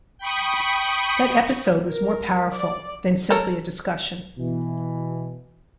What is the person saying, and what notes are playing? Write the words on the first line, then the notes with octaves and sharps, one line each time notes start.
That episode was more powerful than simply a discussion.
G5 B5 C#6 D#6
A#4
D5
A4 A#4 C#5
B2 E3